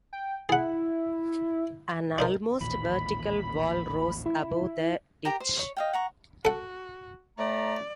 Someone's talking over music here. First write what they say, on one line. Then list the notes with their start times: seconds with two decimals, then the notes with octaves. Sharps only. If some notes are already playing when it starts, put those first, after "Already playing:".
An almost vertical wall rose above the ditch.
0.13 G5
0.49 E4 G#4 F#5
2.18 D4 D#4 A#4
2.61 A1 D#2 A#2 B5
4.26 E4
5.25 G4 A#4 A#5
5.40 C5
5.59 C#5
5.77 D#5 F5 G5
5.93 F#5 A#5 C#6
6.45 F#4 A4 F#5
7.38 A2 A3 D5 A#5